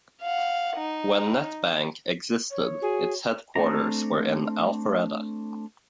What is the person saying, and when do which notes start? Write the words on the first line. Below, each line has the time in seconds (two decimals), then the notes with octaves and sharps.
When NetBank existed, its headquarters were in Alpharetta.
0.22 F5 F#5
0.77 D#4
2.51 C#5
2.82 F#4 G#4
3.56 A3 C4 D4 A#5